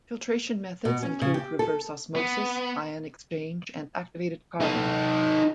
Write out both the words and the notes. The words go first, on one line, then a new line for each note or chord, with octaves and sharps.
Filtration methods include reverse osmosis, ion exchange and activated carbon.
B2
C#4
C#3
G4
A4
B3
D#4 A4